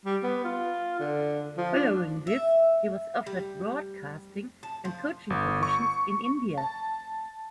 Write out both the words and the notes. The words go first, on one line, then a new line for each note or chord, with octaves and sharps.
Following this he was offered broadcasting and coaching positions in India.
G3
B3
F4
D3
F3
D4
E5
G3
A5
F3
G1
C#6
A5